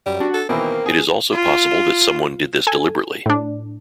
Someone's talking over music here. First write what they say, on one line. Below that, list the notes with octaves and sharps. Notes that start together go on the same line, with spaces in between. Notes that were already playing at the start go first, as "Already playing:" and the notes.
It is also possible that someone did this deliberately.
F#2 G3
D4 F#4
A4
B2 D#3 E3 A#3 C4
G#4
F4
A4 G#5
A2 D4